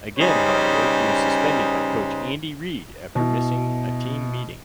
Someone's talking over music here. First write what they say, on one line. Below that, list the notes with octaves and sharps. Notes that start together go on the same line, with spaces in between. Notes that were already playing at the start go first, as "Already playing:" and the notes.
Again however, he was suspended by Coach Andy Reid after missing a team meeting.
C#3 G3 C#4 D#4 B4 C5
B2 E4